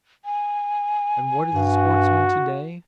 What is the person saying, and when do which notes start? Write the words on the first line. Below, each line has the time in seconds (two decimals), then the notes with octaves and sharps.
And what is a sportsman to-day?
0.25 G#5
1.54 G2 F#4